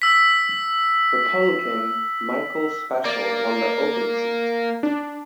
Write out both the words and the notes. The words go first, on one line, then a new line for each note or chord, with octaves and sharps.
Republican Michael Speciale won the open seat.
E6 B6
A#3 D5
D4